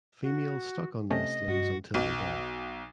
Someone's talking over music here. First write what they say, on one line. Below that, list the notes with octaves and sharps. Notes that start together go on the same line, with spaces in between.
Females stuck on nestlings until their death.
F#4
C3 A3 C#4 D#5
G2 F#4
B1